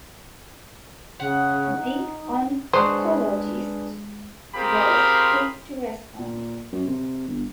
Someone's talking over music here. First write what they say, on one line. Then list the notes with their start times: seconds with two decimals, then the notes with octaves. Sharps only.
The oncologist was quick to respond.
1.20 C#3 F#5
1.76 D#4
2.73 G#3 D4 F#4 G#4 B4 C5
4.55 C4 F4 G4 G#4 A#4 B5
6.19 A#2
6.73 F#2
6.87 C3
7.28 G1